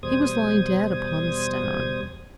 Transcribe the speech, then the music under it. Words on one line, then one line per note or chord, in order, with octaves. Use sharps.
He was lying dead upon the stone.
E2 B2 G3 C5 D#6 G#6